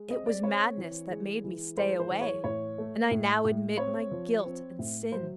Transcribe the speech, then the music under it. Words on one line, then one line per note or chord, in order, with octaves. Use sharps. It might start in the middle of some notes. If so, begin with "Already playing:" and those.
It was madness that made me stay away, and I now admit my guilt and sin.
Already playing: G#3
C4 D#5
D5
C4 C#5
E3
G#3
E3
G#3 C5
C5
E3
C#5
A2 C#5
A3
A2
A2
C4 C#5
F3
C4
A2
F#3 C5